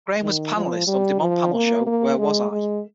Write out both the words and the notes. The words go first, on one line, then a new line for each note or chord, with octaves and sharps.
Graham was a panelist on the DuMont panel show Where Was I?
D#3
F3
G3
F3
A#3
A#3
G#3
G#3